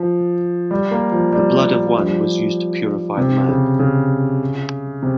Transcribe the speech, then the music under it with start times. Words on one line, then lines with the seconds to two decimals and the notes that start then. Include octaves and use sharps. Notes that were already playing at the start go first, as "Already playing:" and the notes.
The blood of one was used to purify the man.
Already playing: F3
0.71 G3
0.91 A#3
1.12 F3
1.32 G3
1.94 F3
2.02 G3
2.10 F3
3.17 C3
3.48 C#3
3.79 C#3
5.03 C3